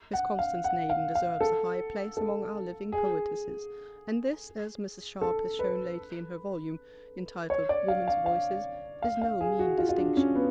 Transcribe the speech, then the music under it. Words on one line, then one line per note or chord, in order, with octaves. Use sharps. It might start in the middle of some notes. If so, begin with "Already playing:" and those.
Miss Constance Naden deserves a high place among our living poetesses, and this, as Mrs. Sharp has shown lately in her volume, entitled Women's Voices, is no mean distinction.
F#5
F5
F#5
F5
F5
A4
A4
G#4
A4
B4
C#5
D5
F5
F5
F5
F5
F5
G#4
F#4
F4
F4
D4
C#4
B3